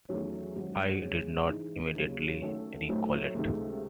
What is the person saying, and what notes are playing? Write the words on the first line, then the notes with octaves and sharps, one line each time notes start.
I did not immediately recollect.
E2 D#3 F#3 A3 C#4
G#2 D#3 F#3 C#4 F#4
C#3 G#3 C#4 G#4
G#2 E3 G#3 D#4
D#2 C#3 F#3
D#3 A3 C#4 F#4 A4
A2 F#3 A3 C4 D#4
C#2 C3 D#3 A3